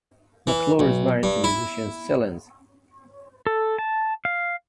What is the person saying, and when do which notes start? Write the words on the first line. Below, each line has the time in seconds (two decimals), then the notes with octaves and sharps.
McClure is married to musician Cylenz.
0.47 E3
0.79 B1
1.23 G2
1.44 E4
3.47 A4
3.78 A5
4.25 F5